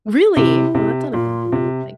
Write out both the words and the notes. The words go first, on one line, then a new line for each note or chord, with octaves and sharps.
Really? Well, that's not a bad thing to look like.
C3 E4
C3
A#2 F4
C3